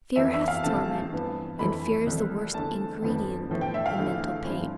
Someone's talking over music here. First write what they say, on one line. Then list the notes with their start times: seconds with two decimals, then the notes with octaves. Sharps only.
Fear hath torment--and fear is the worst ingredient in mental pain.
0.16 F2 E3 B3 E4 E5
0.33 E5
0.48 F5
0.64 E2 C3 F3 A3 A5
1.11 G2 E3 B3
1.59 F2 E3 A3 C4 B5
2.07 C2 C3 F3 A3
2.54 E2 D3 A3 A5
3.02 F2 D3 F3 B3
3.50 A2 F3 B3 E4
3.61 G5
3.74 E5
3.86 F5
3.97 E2 D3 A3 E4
4.45 G2 F3 C4 E4